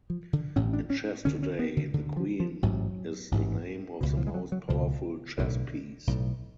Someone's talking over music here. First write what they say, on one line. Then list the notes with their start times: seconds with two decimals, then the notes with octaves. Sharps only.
In chess today the Queen is the name of the most powerful chess piece.
0.10 F3
0.33 D3
0.56 A1 A2 C#4
0.73 D4
0.90 C#4
1.25 D2 D3 C#4
1.43 C#4
1.59 B3
1.77 D3
1.94 D2 D3
2.17 F3
2.40 F3
2.62 A1 G#2 F#3
3.31 A1 G#2
4.01 C#2 B2
4.17 F3
4.27 G#3
4.34 F#3
4.52 F#3
4.69 C#2 B2 F3
5.38 B1 A2 D3
6.07 B1 A2